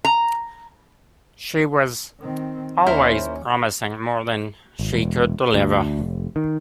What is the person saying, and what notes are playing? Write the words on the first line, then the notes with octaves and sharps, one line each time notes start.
She was always promising more than she could deliver.
A#5
D#3 C4
D#2 C#4 E4 A#4 C5
G#1
E1
D2
F1
D#3